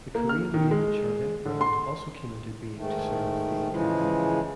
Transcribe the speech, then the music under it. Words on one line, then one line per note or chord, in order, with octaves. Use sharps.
The Korean-made Charvette brand also came into being to service the entry-level.
A#3
F6
D#3
G#3
D3
C6
G#2 D#3 A3
C#3 E3 F3 G#3